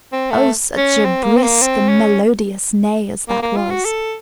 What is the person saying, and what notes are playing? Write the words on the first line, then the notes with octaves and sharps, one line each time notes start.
Oh, such a brisk and melodious neigh as that was!
C4
A3
C#4
C4
A#3
C4
A#3
C4
C#4
A#3
A#3
F4
F#4
A4